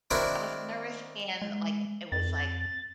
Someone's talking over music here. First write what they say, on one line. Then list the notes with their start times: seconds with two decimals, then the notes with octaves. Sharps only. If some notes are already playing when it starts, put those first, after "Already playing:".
I was nervous and, like, it was, like,
0.11 D#3 C4 D4 E4 F#4 A#4
1.42 G#3
2.12 F2 A6